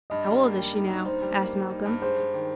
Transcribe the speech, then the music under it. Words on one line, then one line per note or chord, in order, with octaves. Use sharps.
"How old is she now?" asked Malcolm.
G2 D#5
G3
A#3
G3
D#4
D#4
D#4 C5
G3
A#3
G3
D#4
G2
G#3 C5
G#3
D#3